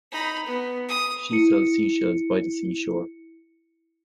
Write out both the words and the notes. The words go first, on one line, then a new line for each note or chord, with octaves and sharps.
She sells sea shells by the sea shore.
D#4 B5
B3
D#6
E4 C#7